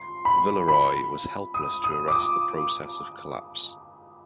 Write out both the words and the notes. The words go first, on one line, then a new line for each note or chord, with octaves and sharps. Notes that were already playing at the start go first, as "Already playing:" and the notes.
Villeroi was helpless to arrest the process of collapse.
Already playing: C6
B5
B5
D#6
D#6
D6
D#6